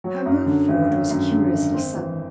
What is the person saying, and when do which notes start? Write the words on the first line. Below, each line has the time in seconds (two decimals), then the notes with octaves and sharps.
Her move forward was curiously sudden.
0.04 F#3
0.25 F#2
0.46 D3
0.68 G#1
0.89 F#3
1.10 F#2
1.31 D3
1.53 G#1
1.74 C4
1.95 E3